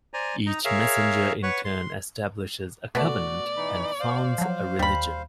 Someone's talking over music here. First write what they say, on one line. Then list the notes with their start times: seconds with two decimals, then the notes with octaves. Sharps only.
Each messenger in turn establishes a covenant and founds a religion.
0.14 C5 D5 G#5 A#5
0.46 D#4 A#5
0.65 G#4 A#4 C#5 E5 F5
1.43 B4 C#5 F#5 C#6
1.65 C6
2.95 B2 A3 B3 F#4 D5
3.57 E3 D#4 B5
4.00 C5 F5
4.38 F3 F#3
4.79 D#2 G3 B5